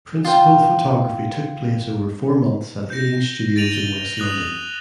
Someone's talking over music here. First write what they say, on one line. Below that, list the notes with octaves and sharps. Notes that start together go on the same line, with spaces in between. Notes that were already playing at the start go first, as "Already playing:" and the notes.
Principal photography took place over four months at Ealing Studios in West London.
F4 G5
G6 A#6
A6 A#6 D7 D#7 F7 F#7
G7
D#6 F#6 F7 F#7